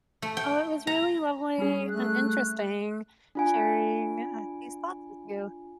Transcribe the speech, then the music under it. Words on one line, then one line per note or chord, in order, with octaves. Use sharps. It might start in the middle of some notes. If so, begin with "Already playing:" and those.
Oh, it was really lovely and interesting sharing, uh, these thoughts with you.
A3
G5
A#5
G3 C#4 G#4
A3 F#6
D4 F4 G#5